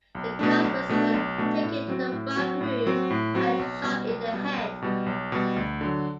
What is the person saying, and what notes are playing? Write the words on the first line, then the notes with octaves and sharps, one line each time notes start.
The customers were taken to the back room and shot in the head.
B1
B2 A3 D4
B1
B2 A3 D4
B1
B2 A3 D4
A2
F#3 C4 F#4
A2
F#3 C4 F#4
A2
F#3 C4 F#4
A2
F#3 C4 F#4
B1
B2 G3
B1
B2 G3
B1
B2 G3
B1
B2 G3
D2
D3 F#3